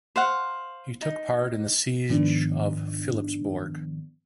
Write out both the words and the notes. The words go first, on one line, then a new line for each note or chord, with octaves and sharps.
He took part in the siege of Philippsbourg.
C5 F5 F#5
D#4
G#2 D#3 F3 B3 D4